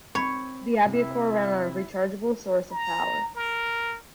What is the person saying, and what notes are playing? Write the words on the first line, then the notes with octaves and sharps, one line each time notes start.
The AbioCor ran on a rechargeable source of power.
C4 C#5 B5
C3 E4
A#5
A#4